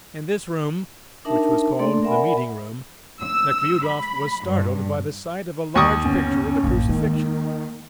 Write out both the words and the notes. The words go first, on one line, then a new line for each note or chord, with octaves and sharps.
In this room, which was called the meeting-room, Nekhludoff was startled by the sight of a large picture of the Crucifixion.
D4 D#4 A#4 E5 A5
A3 A#3 D4 A4 D5 C6
A#4 D5 E5 F#5 G#5 B5
E6
B5
G2
D#2 C#6 D#6
D2 G2 B3 C#4
A1 F#2 A#3
D#3 G#3